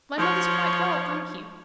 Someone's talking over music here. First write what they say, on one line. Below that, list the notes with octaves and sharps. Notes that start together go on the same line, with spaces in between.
My mother's quite well, thank you.
F3 C#5